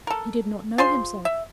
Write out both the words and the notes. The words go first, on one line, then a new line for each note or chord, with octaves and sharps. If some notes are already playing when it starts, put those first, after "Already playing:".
He did not know himself.
A4 A#4
F4 G#4 C5 C6
E5